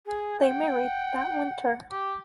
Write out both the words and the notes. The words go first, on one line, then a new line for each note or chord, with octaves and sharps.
They married that winter.
G#4
F#5 G5
G4